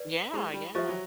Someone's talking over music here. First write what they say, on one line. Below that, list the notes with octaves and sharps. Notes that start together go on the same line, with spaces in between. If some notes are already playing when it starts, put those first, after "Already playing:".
Yeah, yeah.
Already playing: B4 D5
G#3 E4 G4 C5
G3
F3 G4 C5 E5
F#3